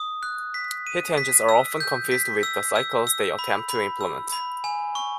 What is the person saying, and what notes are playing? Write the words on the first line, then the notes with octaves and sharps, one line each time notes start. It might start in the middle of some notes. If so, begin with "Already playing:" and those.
Heat engines are often confused with the cycles they attempt to implement.
Already playing: D#6
F#6
B6
D#7
B6
E6
G6
B6
E6
E6
E6
B5
B5
E6
B5
G#5
C#6